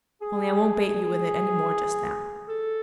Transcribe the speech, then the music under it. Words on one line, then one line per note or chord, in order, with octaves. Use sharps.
Only I won't bait you with it any more just now.
G#4
A4